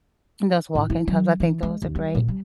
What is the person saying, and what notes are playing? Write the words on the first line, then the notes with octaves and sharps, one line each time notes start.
and those walk-in tubs, I think those are great,
A2
E4
F#3
E3
G#3
D#2
G3
A#2
G3